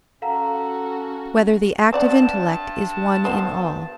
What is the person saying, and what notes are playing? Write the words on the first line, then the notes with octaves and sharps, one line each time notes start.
Whether the Active Intellect Is One in All?
C#4 F#4 A4 F5 F#5 A#5
G2 C4 D5 F#5 A5
F3 B3